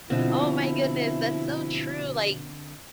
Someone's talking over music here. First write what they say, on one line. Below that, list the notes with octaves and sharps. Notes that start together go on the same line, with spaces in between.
Oh my goodness, that's so true, like,
B2 D3 F3 C4 E4